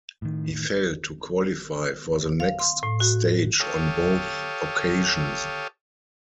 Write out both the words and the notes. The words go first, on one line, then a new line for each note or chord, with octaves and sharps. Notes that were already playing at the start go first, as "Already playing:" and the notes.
He failed to qualify for the next stage on both occasions.
A2 D#3
F5
C6
A2
F#4
G4 A4 C#5 F5 D#6